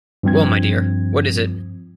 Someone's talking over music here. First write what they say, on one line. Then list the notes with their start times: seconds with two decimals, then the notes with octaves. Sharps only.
Well, my dear, what is it?
0.23 G2 F3 C4 G#6